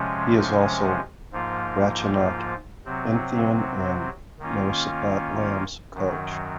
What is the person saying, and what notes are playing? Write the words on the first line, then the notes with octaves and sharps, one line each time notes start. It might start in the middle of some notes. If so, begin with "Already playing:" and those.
He is also Ratchanok Inthanon and Narissapat Lam's coach.
Already playing: C3 F3 G#3 C#4
G#2 F3 A#3 F4
C3 F#3 C4
D#3 A#3 C#4 F4
F#2 D#3 F#3